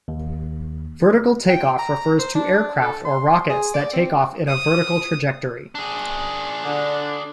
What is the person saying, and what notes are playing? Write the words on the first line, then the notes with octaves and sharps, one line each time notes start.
Vertical takeoff refers to aircraft or rockets that take off in a vertical trajectory.
D#2
G5
A#5
C5
D4
A4
C6
G#4
D5
C4
D#6
D4 G#4
D3